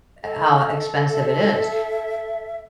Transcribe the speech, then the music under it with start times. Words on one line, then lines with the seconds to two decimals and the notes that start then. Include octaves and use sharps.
how expensive it is.
0.24 A4 D#5
1.13 E5